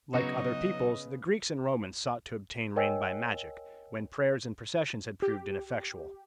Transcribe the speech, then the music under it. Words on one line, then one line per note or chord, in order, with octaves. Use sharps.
Like other peoples, the Greeks and Romans sought to obtain rain by magic, when prayers and processions had proved ineffectual.
C#3 F#3 B3 D#4 F#4 D#5
A#4 C#5 D#5 G5 G#5 E6
G4